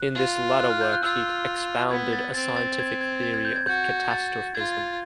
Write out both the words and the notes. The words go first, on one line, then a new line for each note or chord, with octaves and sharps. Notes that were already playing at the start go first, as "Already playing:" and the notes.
In this latter work he expounded a scientific theory of Catastrophism.
Already playing: F#6
F4
F#6
F6
G6
F#6
F4 E6
B3 G#6
A6
C4 A6
A6
G#6
G#6
A6
G#6
G6
G#6
F#4 G6
A6
F4 G#6